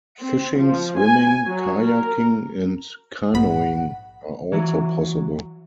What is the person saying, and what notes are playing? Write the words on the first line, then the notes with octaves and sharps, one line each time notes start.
Fishing, swimming, kayaking, and canoeing are also possible.
C4
F3
G#5
F#3
A#4
A#1 G#2 F#5 B5
E3 F#3